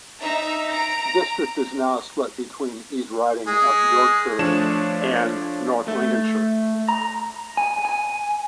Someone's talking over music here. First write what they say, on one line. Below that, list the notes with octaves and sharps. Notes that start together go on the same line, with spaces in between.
The district is now split between the East Riding of Yorkshire and North Lincolnshire.
D#4 E5 A#5
A#5 A#6 D7
G#3 G#4
F3 A3 D4 C#5 E7
A3
A#5
G#5
G#5